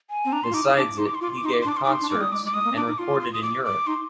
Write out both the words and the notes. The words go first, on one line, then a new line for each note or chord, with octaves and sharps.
Besides it, he gave concerts and recorded in Europe.
G#5
C4
D4 A#5
C6
F4
D#4 D6
D#6
D4 D6
D#4 C6
D6
C6
F4 D6
C6
D6
D#4
C6
D6
C6
D4
D6
C6
D6
D#4
C6
D4
D#4 D6
G#3
G3 D#6
G#3 D6
G#3
D6
G#3 D#6
A#3
C4
D4 D6
D#4
F4 C6
C6
D#6
D6
D6
D#4 C6